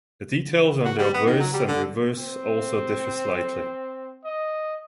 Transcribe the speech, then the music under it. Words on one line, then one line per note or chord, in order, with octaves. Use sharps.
The details on the obverse and reverse also differ slightly.
F#4
G3
B3
D#3
F#3
G3
D3
C4
D#5